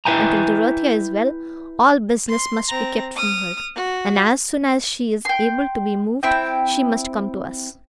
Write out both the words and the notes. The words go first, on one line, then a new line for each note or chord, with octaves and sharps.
Until Dorothea is well, all business must be kept from her, and as soon as she is able to be moved she must come to us.
E4 B4 E5 G5 G#5 A#5
C6
C4 A#5
D#6 F6
F#4
G5 C6
C4 E4 G5